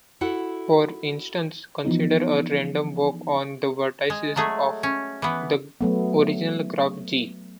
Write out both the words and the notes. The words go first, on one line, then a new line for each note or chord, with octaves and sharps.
For instance consider a random walk on the vertices of the original graph "G".
E4 F#4 A4 F#5
E3 F3 B3 D#4
G#3
F#3 G#3 A3 G#4
C#4
E3 B3
F#3 A3 B3